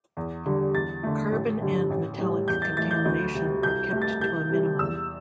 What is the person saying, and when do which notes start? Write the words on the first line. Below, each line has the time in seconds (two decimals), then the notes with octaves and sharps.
Carbon and metallic contamination are kept to a minimum.
0.17 E2
0.46 D3 G3
0.74 E2 A6
1.03 D3 A3
1.32 A1
1.61 G2 D3 G3
1.90 A1
2.19 A2 G3
2.48 E2 G6
2.62 A6
2.77 E3 A3 A6
2.91 G6
3.05 D2
3.34 C3 G3
3.63 C2 G6
3.92 C3 A3
4.02 A6
4.21 C2 G6
4.50 C3 G3
4.79 E2 E6